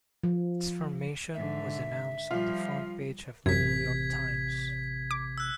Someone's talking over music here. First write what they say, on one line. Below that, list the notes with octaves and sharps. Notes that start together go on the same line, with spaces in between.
Its formation was announced on the front page of "The New York Times".
F3
G#2 D3 E5
F3 G3 F4
A1 F#2 C3 G#6 B6
D6
E6 F#6